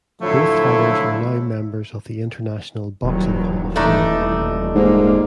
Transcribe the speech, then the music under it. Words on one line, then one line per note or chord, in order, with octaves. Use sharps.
Both fighters are now members of the International Boxing Hall of Fame.
A2 D3 F3 F#3 A3 E4
D#1 D#3 E3 F#3
E2 E3 A3 D4 D#4
G#2 A#3